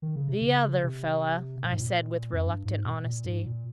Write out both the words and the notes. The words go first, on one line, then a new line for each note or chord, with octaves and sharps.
"The other fellow," I said with reluctant honesty.
D#3
C#3
C3
C#3
C3
A#2
G#2
A#2
F2
G2
G#2
A#2
A#2
G#2
A#2